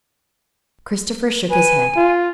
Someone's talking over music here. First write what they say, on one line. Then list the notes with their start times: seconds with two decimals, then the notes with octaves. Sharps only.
Christopher shook his head.
1.50 B4 G#5
1.96 F4